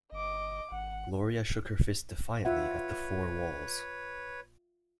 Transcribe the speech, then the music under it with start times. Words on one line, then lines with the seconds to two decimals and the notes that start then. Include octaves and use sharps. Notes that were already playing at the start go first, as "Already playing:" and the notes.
Gloria shook her fist defiantly at the four walls.
0.12 G1 D#5 D6
0.71 G#1 F#5
2.45 F4 B4 C#5 E5 F#5